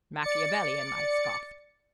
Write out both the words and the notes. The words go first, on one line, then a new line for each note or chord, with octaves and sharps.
"Machiavellian!" I scoffed.
D5 A6 C#7